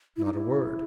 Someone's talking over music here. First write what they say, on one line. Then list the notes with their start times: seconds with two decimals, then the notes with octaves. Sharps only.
"Not a word."
0.17 E4
0.25 D#4
0.33 E4